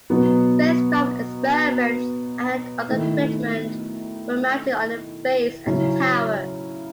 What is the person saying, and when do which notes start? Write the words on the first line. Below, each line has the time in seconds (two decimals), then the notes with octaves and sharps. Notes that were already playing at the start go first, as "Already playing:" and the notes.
Spacecraft experiments and other equipment were mounted on the base and tower.
0.10 B2 F#3 B3 F#4
2.88 D#3 A3 E4
5.67 C#3 F#3 C#4 E4